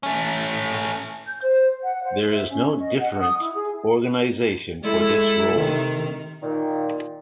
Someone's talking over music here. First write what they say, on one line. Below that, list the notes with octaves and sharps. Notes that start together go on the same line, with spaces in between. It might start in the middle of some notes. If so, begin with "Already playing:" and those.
There is no different organization for this role.
A3 C#4
G6
C5
F#5
C5
E5
C#4
D#5
F#5
D#6
E4
G#4
G#3 E4 A4
C3 D#3
A#2 D#3